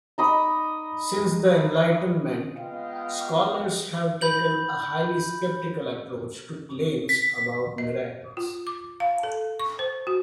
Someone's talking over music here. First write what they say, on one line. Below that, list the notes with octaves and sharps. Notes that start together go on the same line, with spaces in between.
Since the Enlightenment, scholars have taken a highly skeptical approach to claims about miracles.
D#4 D#5 B5 D6
G#3 B3 F4 D#5 F5 G5
B5 G6 F#7
B6
D#5
F4
D6
F5
A4
C#6
C5
F#4